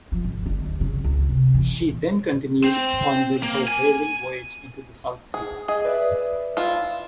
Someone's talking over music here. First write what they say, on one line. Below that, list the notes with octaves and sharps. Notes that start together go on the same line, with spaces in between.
She then continued on with her whaling voyage into the South Seas.
F3
G#1
D3
D#2
C#3
C#2
C3
E3
C4
A#3
G#5
G#4
G#4 D#5
B4 D5 E5
E4 F4